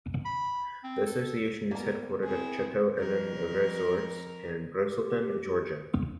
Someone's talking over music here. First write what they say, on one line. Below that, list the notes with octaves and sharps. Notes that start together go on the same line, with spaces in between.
The Association is headquartered at Chateau Elan Resort in Braselton, Georgia.
B5
C4
A4
G3 A#3 B3 A#4
C4 E4 G#4
F2 A#4
G4